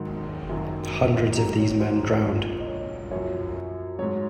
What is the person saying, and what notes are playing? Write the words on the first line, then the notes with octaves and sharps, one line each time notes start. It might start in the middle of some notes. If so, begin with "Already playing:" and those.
Hundreds of these men drowned.
Already playing: G#2 D#3 F#3
F#2 D#3 F#3
G#2 D#3 F#3 A#5
C#5
C5
G#4
A#2 F3 A#4
D#5
C#5
F#2 F3 C#5
G#2 F#3 C#5